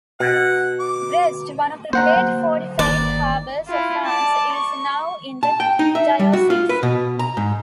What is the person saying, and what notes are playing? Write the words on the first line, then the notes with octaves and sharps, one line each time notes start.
Brest, one of the great fortified harbours of France, is now in the diocese.
B2 F#5
D6
A#3 C5 F#5 A#5
F#3 A#3
G1 D#3 A#3 D5
E4 F4
D5 A5
C#6
A5
G5
D#4
E5
G3
F#4
F4
B4
B2
A#5
G#2